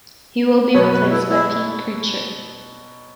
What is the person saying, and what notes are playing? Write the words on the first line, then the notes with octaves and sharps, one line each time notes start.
He will be replaced by Pete Kircher.
B2 F#3 B3 C#5
B4
E4
E4